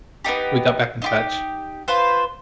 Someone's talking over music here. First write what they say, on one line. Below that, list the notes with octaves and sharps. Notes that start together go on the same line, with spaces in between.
we got back in touch,
B3 D4 D#4 G4
D#4 F4 G4
F4 B4 C5